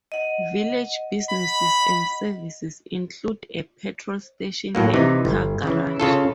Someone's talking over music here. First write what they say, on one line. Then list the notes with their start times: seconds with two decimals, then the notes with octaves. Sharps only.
Village businesses and services include a petrol station and car garage.
0.12 D#5 F#5
1.30 B5
4.75 A2 F#3 A#3
4.94 C3 E3 D#4
5.25 G1
5.64 C#3 E3
6.00 C#3 F4 A4